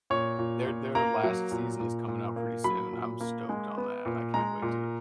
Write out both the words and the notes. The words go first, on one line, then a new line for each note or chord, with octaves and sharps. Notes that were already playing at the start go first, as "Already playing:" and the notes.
their their last season is coming out pretty soon. I'm stoked on that. I can't wait to
A#2 C#5
A#2
A#2
A#3 A#5
F#3
A#2
A#2
A#2
A#3
F#3 B5
A#2
A#3
G#3
B3
A#2
G#3 A#5
A#2